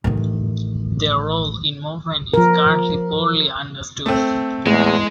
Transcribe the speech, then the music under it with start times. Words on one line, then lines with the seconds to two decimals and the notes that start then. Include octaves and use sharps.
Their role in movement is currently poorly understood.
0.04 A1 D#3
2.34 F3 A#4
4.06 A3 C4
4.66 E2 A2 G#3